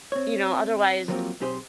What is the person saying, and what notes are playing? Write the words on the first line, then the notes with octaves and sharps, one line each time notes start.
you know, otherwise
C4 C#5
F3 F#3 A#3 C4 F4 G4
B1 C4 G4 G#4 C5